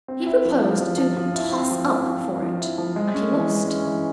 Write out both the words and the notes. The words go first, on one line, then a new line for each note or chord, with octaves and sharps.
He proposed to "toss up for it"--and he lost.
C4
E4
F3
F3
F3
F3
F3
E4
C4
F3
C4
F3
F3
F3
E4
F3
G#3
C#4
E3
G#3
C#4
E3